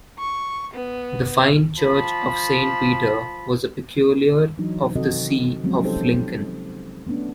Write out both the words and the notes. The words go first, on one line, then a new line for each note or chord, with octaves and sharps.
The fine church of Saint Peter was a Peculiar of the see of Lincoln.
C#6
B3
F3 A5 B5
E3 F#3 D4 D#4
C3 D#3 C4 F#4 A4 D#5
F3 F#3 G#3 A#3 C4 C#4
D#4 G4 A4 C5
A3 B3 C#4 D4